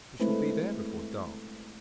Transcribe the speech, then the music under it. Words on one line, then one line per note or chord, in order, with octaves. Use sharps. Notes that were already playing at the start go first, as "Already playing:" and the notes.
'We shall be there before dark.'
G#3 A3 C4 E4 B4